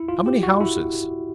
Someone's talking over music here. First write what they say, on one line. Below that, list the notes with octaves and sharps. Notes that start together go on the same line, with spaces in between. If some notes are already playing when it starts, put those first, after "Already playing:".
How many houses?
Already playing: E4
F4
G4
F#4
E4